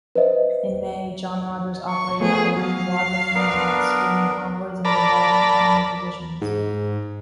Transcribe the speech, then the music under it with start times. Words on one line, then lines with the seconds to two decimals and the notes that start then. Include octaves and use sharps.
In May, "John Rodgers" operated out of Guadalcanal screening convoys and bombarding enemy positions.
0.16 B4 C5 D#5 E5
1.88 C#6
2.20 F3 A3 B3 G#4
2.57 F#3 F5
3.35 B3 D4 A#4
4.85 A#4 D5 A5 B5
6.41 G#2